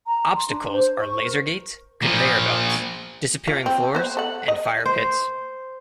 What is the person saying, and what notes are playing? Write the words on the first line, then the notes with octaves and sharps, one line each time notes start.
Obstacles are laser gates, conveyor belts, disappearing floors and fire pits.
A#5
C6
D4
C5
C#6
A#4
A#2 F3
F4
C4
B3 C5
A4 F#5
D#5
C5